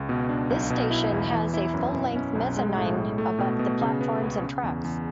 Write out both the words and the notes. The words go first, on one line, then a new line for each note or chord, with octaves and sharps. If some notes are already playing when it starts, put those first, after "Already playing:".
This station has a full length mezzanine above the platforms and tracks.
Already playing: C#2
B2
D4
B1
B2
E4
E2
E3
E4
F#2
B2
C#4
B1
G#3
A2
A2
A3
B2
B2
C#3
B3
C#2
C#3
E2
E2